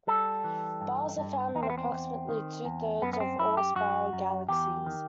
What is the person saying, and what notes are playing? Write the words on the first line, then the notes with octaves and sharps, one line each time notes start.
Bars are found in approximately two-thirds of all spiral galaxies.
G3 A4
E3
G2
G2
E2 D#4
C4
B3
C4
E2
D#3
E2
F#2 B3
B3
C4
F#2 E4
G4
F#2 F#4
F#2
E2 G4
D#3